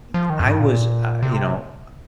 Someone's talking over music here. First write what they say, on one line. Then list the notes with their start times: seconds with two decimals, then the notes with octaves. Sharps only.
e I was, uh, you know,
0.14 F3
0.30 D#3
0.40 F2
0.46 A#2
0.49 G2
0.60 A#2
1.22 C3